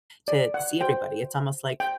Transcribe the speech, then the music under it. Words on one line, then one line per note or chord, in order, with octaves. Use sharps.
to see everybody, it's almost like
D5
F#5
F#4 C5 G5
G5